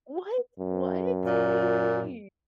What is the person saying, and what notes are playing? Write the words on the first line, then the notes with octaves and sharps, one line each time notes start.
What? What? What do you mean?
F#2
A#2